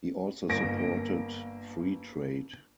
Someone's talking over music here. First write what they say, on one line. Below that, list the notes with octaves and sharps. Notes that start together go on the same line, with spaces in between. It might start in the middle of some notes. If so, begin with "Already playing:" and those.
He also supported free trade.
G1 A#3 A#6 D7